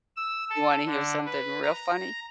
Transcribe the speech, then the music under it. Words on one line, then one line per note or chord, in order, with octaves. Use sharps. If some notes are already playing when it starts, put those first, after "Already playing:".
You wanna hear something real funny?
E6
A4
D3
B4
A#5